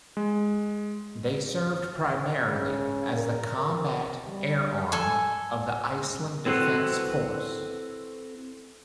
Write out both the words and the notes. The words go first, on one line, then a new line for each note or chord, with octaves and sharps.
They served primarily as the combat air arm of the Iceland Defense Force.
G#3
C#3
A#4
G3
A4 G#5
C4 E4 F#4 A4 B4 C5